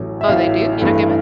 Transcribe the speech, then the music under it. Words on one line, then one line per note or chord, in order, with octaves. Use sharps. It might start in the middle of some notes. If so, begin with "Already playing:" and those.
Oh, they do? You don't get mad?
Already playing: A1 A2 F#3
E5
A1 A2 F#3 F5
G2 E3 A3